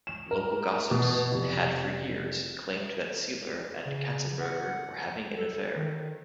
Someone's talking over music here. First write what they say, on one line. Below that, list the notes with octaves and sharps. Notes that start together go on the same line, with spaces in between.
Local gossips had for years claimed that Seiler and Katzenberger were having an affair.
E7
A#4
B2
F1
C#3
F#5
A4
D#3